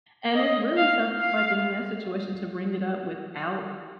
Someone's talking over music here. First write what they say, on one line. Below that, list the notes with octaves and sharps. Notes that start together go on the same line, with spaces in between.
and it's really tough, I think, in that situation to bring it up without,
D#5
F5
F5